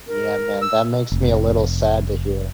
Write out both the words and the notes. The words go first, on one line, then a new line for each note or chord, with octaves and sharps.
Yeah, man. That makes me a little sad to hear.
A#4
E6
F1